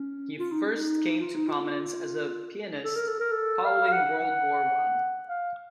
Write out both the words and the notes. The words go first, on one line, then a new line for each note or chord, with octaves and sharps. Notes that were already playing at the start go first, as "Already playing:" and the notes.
He first came to prominence as a pianist following World War One.
Already playing: C#4
F4
D#4
C#4
D#4
F4
D#4
F4
A4
A#4
A4
A#4
A4
F5
F5
F#5
F#5
F5